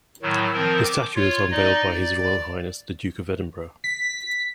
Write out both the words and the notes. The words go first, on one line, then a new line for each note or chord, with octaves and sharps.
The statue was unveiled by His Royal Highness, The Duke of Edinburgh.
A2 D#3 F#3
D#3 F3 C4 A#4
D6
F4 C#5
D#4 D5 D#5
D5
B6